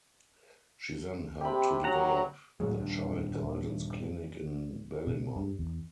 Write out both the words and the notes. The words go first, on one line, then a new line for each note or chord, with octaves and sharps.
She then helped to develop the Child Guidance Clinic in Ballymun.
C3 G4 D5 B5
F#3 F#5 A#5
A2 C#3 F#3 G#3
D#1 G2
B2
G2
E2